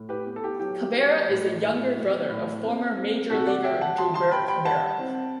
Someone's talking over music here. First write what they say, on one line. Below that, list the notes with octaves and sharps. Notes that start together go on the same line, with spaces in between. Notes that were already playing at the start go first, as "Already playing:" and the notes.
Cabrera is the younger brother of former major leaguer Jolbert Cabrera.
Already playing: A2
G4 B4
B3
A4
G4
F#3 G4
F#3
A2
A2
F#3
A2
C4
C4
C3 F#4 A4
D5 F#5
G3 E5 G5
F#5 A5
G3 A5 C6
A5 C6
G3 G5 B5
G5 B5
G3 F#5 A5
C4